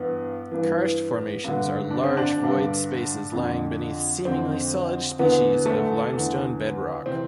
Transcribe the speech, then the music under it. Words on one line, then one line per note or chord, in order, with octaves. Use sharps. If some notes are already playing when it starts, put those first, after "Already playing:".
Karst formations are large void spaces lying beneath seemingly solid species of limestone bedrock.
Already playing: G2 E3 B3
G2 E3
G2 D3
D4
C4
D4
D3
G2
F2 D3
F2 D3 C4
E2 D3 B3
A3
E2 D3
C3 E3 C4